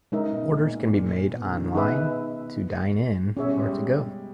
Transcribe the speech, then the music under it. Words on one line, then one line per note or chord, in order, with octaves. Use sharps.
Orders can be made online, to dine-in, or to-go.
C#3 G#3 D#4 A#4 E5
B2
A#2
A#2
B2
C#3
D#3
B2 D#4 G#4 B4 E5
B2 C#4 G#4 C#5 E5
G3
G#3
G3